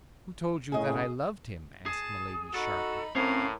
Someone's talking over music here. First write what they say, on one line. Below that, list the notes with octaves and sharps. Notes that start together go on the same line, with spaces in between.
"Who told you that I loved him?" asked Milady, sharply.
A2 C#3 G#4 D#5
G#4 A5
D#4 F#4 A4 B5
A2 C4 C#4 A#4 F5 D6